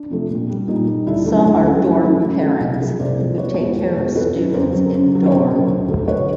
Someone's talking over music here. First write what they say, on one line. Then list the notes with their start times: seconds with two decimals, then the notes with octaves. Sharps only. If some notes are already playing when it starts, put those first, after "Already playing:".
Some are dorm parents, who take care of students in dorm.
Already playing: D4
0.10 C3 F3 A3
0.30 A#2
0.49 G3
0.68 A#2 D#4
0.88 G3
1.07 D2 D4 E4
1.26 C#3 F#3 A3
1.45 D2
1.65 C#3 F#3 A3
1.84 F#2
2.03 C#3 F#3 A3
2.23 F#2
2.42 C#3 F#3 A3
2.60 C2
2.80 C3 F3 A3 G#4 A#4
2.99 C2 C5 D5
3.18 C3 F3 A3
3.38 E2 B4 C#5
3.58 B2 G#3
3.77 E2
3.96 B2 G#3
4.15 F2 A4 B4
4.34 C#3 F#3
4.54 F2 A#4 C5
4.72 C#3 F#3
4.92 F#2
5.12 C#3 F#3
5.26 C#5
5.31 F#2 A#4 C5
5.50 C#3 F#3
5.69 D2
5.88 D3 F#3 A3
6.07 D2 B4 C#5